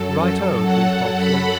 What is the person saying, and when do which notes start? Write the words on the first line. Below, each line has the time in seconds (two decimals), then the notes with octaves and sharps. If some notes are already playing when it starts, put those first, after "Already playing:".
"Right-o!" agreed Hawksley.
Already playing: F#2 F#3 A4
0.65 F#5
1.18 B5